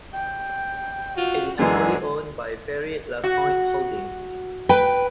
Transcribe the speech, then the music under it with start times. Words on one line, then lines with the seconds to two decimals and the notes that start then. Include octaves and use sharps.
It is wholly owned by Barry Lapointe Holding.
0.14 G5
1.17 F4 F#4
1.59 F#2 D3 E3 G#3 G#4
3.24 F#4
4.69 B4 G5